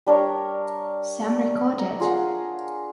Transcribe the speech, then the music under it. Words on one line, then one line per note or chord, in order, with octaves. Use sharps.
Some record it.
G3 D4 A#4 C#5
A#5
F4 G#4 A#4 F#5